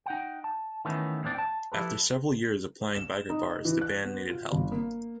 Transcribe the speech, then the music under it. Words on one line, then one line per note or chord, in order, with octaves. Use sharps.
After several years of playing biker bars the band needed help.
D#4 F#5 G5
A5
D#3 E3 A3 B3 C#4
E2 A#2 C4 D4 D5
G5 A5
F3 E4 G4 A4 B4
E7
D#4
E3
F#6
B3
F4
G1
A#3